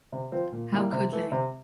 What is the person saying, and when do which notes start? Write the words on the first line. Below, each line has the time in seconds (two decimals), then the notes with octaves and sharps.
How could they?
0.12 C3
0.32 F3 C4 F4
0.52 A#2
0.72 G3 A#3 E4
0.93 C3
1.12 E3 A3
1.32 C3